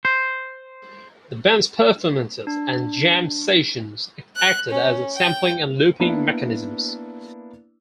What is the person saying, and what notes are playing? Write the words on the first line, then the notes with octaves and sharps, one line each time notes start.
The band's performances and jam sessions acted as sampling and looping mechanisms.
C5
D4
F#6
C#4
G5
A#3 B3 D4 E4